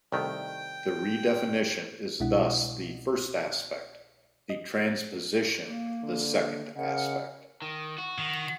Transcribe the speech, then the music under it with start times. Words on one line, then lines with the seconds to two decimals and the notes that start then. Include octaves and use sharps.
The redefinition is thus the first aspect, the transposition the second aspect.
0.12 C2 D#3 A3 G5
2.20 C2 B2 G#3 D4 E4 F#5
4.50 D#5
5.66 A#3
6.03 D3
6.76 C#3 A#4 D#5 F#5
7.62 D#3
7.98 F#4
8.18 D#3